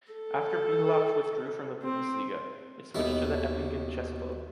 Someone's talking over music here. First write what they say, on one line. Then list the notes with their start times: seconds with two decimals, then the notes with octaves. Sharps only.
After Bindlach withdrew from the Bundesliga, it switched to the Eppingen Chess Club.
0.12 A4
1.83 C4
2.95 D#2 B2 E4